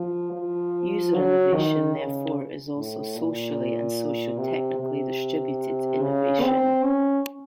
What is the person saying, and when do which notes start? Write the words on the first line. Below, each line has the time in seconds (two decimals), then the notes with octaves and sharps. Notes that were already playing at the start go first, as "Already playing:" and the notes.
User innovation, therefore, is also socially and socio-technically distributed innovation.
Already playing: F3
0.32 F3
1.14 F#3
1.54 D#3
1.96 C#3
2.76 A2
3.17 A#2
4.38 C3
4.80 C3
6.01 C#3
6.42 C4
6.83 C#4